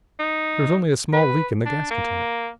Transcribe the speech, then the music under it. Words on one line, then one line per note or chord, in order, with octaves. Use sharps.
There is only a small leak in the gas container.
D#4
B4
D4
A#3